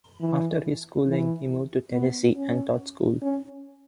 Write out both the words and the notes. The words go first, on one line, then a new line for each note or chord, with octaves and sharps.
After his schooling, he moved to Tennessee and taught school.
E3
E3
B3
C#4
C#4